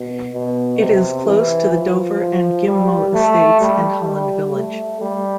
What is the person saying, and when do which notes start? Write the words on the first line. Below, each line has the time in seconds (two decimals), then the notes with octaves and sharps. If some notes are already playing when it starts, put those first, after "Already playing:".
It is close to the Dover and Ghim Moh estates, and Holland Village.
Already playing: B2
0.32 B2
0.79 C3
1.26 E3
1.73 F3
2.20 F3
2.67 G3
3.14 A3
3.60 G3
4.07 G3
4.54 A3
5.01 G3